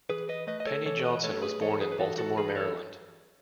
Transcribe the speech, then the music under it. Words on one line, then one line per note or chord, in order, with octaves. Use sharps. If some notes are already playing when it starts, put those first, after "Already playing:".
Penny Johnson was born in Baltimore, Maryland.
E3 G#4 B4
B4 D#5
A3 B4 D#5
D#5
A4 C#5
E3 A4 C#5
C#5
B4 D#5
A3 A4 C#5
G#4 B4
E3 A4 C#5
G#4 B4
B4
E3 F#4 A4
F#4 A4
E3 G#4 B4
A4 C#5